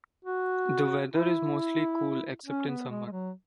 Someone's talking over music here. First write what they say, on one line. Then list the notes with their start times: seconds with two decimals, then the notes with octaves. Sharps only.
The weather is mostly cool, except in summer.
0.25 F#4
1.14 E4
2.46 C#4
2.68 B3
2.89 G#3
3.07 G#3
3.12 F#3